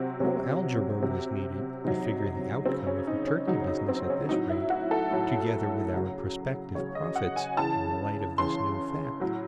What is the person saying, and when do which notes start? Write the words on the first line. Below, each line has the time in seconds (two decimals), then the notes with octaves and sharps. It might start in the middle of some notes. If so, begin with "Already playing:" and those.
No algebra was needed to figure the outcome of the turkey business at this rate, together with our prospective profits, in the light of this new fact.
Already playing: C3 F#3 C4 F#4
0.20 C3 F#3 C#4
1.03 C3 F#3
1.84 C3 F#3 D#4
2.65 C#3 F#3 C4
2.87 C#4
3.07 D#4
3.27 C#4
3.47 C#3 F#3 D#4
3.68 D#4
3.89 C4
4.10 C#4
4.29 A2 F#3 D#4
4.49 E4
4.70 F#4
4.91 A4
5.11 A2 F#3
5.93 C#3 F#3
6.75 C#3 F#3 C#5
6.95 D#5
7.16 F#5
7.36 G#5
7.57 C#3 E3 A5
8.38 C#3 E3 C6
9.20 A2 F#3